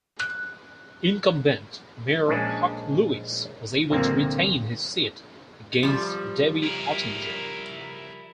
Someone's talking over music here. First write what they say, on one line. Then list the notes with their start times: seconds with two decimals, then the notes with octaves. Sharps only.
Incumbent Mayor Huck Lewis was able to retain his seat against Debbie Ottinger.
0.20 F#6
2.28 A#1 G#3 C#4 D4 G#4 A5
3.90 C2 F2 A#2 D3 A#3 C4
5.83 F3 G3
6.64 E4 A#4